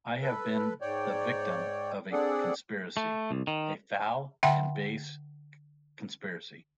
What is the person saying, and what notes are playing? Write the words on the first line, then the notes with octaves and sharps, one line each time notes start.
I have been the victim of a conspiracy — a foul and base conspiracy.
A4 B4
G#2 C#5 D5 G5
C4 D4 G#4 A4 D5 F#5
A3
C2
D#3
D3 E5 F#5 G5 A5 C6